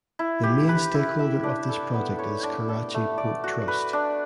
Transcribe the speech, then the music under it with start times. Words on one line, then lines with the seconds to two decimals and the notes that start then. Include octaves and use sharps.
The main stakeholder of this project is Karachi Port Trust.
0.19 E4
0.43 G4
0.69 B4
0.94 E4
1.19 E5
1.43 D4
1.69 A4
1.94 B3
2.19 C#5
2.43 D4
2.68 A4
2.94 A3
3.18 D5
3.44 F#4
3.68 B4
3.93 D4